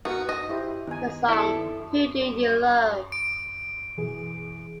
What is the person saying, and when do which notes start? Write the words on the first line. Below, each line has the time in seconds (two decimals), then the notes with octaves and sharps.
The song Who Do You Love?
0.05 B3 F#4 A#4 C#6
0.29 D#5
0.49 E4 G4 C5
0.87 D#3 B3 D#4 G#5
1.29 E4 A4 D5
3.12 D7
3.97 B2 E3 G#4